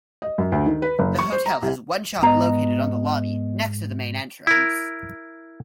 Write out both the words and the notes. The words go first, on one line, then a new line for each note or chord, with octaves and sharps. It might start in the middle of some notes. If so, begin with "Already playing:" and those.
The hotel has one shop located on the lobby next to the main entrance.
D#5
F#2
D2
D#3
B4
F#1
C#6
C5
A#5
C2
G#2 B3 D#5 A#5
E4 A#4